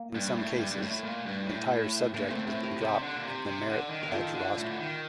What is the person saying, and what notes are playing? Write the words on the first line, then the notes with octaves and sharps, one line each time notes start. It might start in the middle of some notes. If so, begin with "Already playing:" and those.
In some cases, the entire subject has been dropped from the merit badge roster.
Already playing: A#3
G2
A2
G2
G2
A2 A3
A#2
G2
A2
A2 A#3
A#2
A2 A3 C4
A2 A3 C4
G4 A#4
C3
D3
A#2
C3
C3
D3
D#3
D3 A#4
D#3 F4 A4
D3
A2
D3
D#3